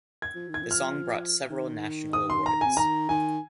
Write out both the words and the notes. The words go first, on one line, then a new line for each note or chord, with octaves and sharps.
The song brought several national awards.
G#6
F3
D#3
G#6
F3
F6
D#3
D#6
C6
A#5
C3 G#5
D#3 A#5
D#3 G#5